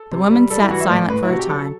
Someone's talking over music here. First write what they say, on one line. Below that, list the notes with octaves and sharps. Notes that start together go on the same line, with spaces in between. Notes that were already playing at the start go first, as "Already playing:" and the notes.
The woman sat silent for a time.
Already playing: A4
C3
G3
G3 A4
E4
E3 F#4
E5
A2 D5
A2 B4
E4
C3 F#4
G4
F#3 A4
A4